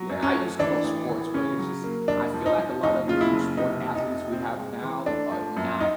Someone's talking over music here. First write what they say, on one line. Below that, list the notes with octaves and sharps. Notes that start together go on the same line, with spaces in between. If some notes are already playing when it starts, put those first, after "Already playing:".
Yeah, I used to love sports, but it's just I feel like a lot of the new sport athletes we have now are not
Already playing: F#3
F#2
C#4
A3
E3 D4
A1
E3
C#3 C#4
F#3
A#3
F1 D4
F3
D#4
F3
F#1 D#4
C#3 F4
E4
F#1
C3 D#4
F1
D#4
C3
C4
G#3
E3
A3 D4
F3
F#2
D#4